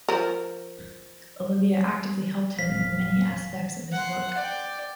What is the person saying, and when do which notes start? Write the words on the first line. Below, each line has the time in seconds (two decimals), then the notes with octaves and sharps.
Olivia actively helped him in the many aspects of his work.
0.09 F3 A#4
2.59 F1 A#2 F5 B6
3.92 F#5 C6
4.38 D5 G5